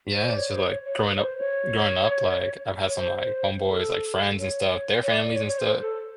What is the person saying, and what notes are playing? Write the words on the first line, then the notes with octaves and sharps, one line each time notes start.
Yeah, it's just like growing up growing up, like, I've had some, like, homeboys, like, friends and stuff, their families and stuff,
C5
D5
C#5
C5
C#5
C#5
A#4
B4
C#5
C5
C#5
C#5
C5
A4
C#5
C#5
D5
C#5
C#5
C5
A4